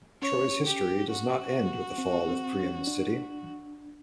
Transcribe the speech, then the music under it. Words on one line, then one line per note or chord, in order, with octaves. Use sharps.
Troy's history does not end with the fall of Priam's city.
C#4 C#5
G4
F#4
C4
C4
C#4
D4